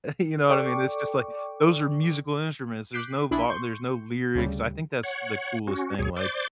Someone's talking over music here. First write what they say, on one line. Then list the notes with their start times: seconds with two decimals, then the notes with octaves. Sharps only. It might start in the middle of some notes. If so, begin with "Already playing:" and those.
you know what I mean? It's just like those are musical instruments. There's no vo there's no lyrics. I think that's the coolest thing like,
0.50 A4 D5 G5 C#6 D6
2.93 D6 F#6 G6 B6 C7 D7
3.31 A#1 D4 E4 G#4 B5
3.49 C6 C#6 G6 C#7
4.35 D2 C#3 G3
5.03 C#5 F#5
5.67 C#4 F#4
5.99 D2 B2 G#4 C#5
6.16 C5 D5 D6 G6